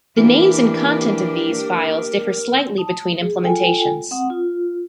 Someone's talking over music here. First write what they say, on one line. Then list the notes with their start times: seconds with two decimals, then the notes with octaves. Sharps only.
The names and content of these files differ slightly between implementations.
0.17 E3 A#3 D4 G4 A#4
2.78 A5 D#6
3.20 G#4
3.43 F4 A4 G5 G#5
4.11 C4 F#5 D#6
4.30 F4